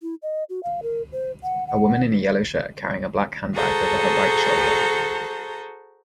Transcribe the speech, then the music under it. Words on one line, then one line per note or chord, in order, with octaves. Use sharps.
A woman in a yellow shirt carrying a black handbag over her right shoulder.
E4
D#5
F#4
F5
A#4
C5
F#5
F#5
F#4 G#4 A4 C5 A5 A#5